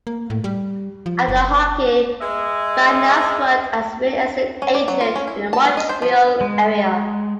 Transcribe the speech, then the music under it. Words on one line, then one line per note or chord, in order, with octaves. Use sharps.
After hockey, Vadnais worked as a real estate agent in the Montreal area.
A#3
A2
G3
F3
F#1
G#3 D#5 E5
C#4
D5
F#3
F4
C#4
E4
A5
B3
D#5
C5
F3
G#3